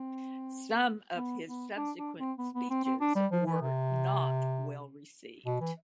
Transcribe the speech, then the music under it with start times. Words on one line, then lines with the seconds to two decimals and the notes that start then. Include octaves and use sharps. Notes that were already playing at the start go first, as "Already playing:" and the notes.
Some of his subsequent speeches were not well received.
Already playing: C4
1.16 B3
1.47 B3
1.77 D4
1.98 D4
2.18 C4
2.38 B3
2.55 B3
2.70 C4
2.85 C4
3.01 D4
3.16 G3
3.32 F3
3.46 E3
3.62 C3
5.46 B2
5.61 E3